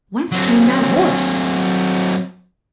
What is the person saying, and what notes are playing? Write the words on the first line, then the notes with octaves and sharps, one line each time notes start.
Whence came that horse?
F#3 C4